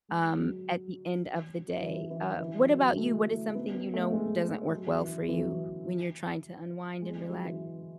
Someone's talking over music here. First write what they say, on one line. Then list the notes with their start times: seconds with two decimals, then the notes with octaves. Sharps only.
um, at the end of the day. Uh, what about you? What is something you know doesn't work well for you when you're trying to unwind and relax?
0.09 G#3
0.38 F#3
1.82 E3
2.10 E3
2.40 E3
2.59 F#3
2.78 F#3
2.98 A3
3.55 B3
3.74 B3
3.94 A3
4.13 G#3
4.71 F#3
5.00 E3
5.29 E3
5.37 F#3
5.45 E3
7.02 G#3
7.16 G#3
7.30 F#3
7.45 E3